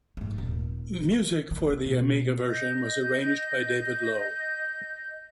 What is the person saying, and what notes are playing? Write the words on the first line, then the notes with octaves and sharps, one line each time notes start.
Music for the Amiga version was arranged by Dave Lowe.
G#2 A3
D#1
D#3
D#3 A#3
B2 A#3
D#5 G6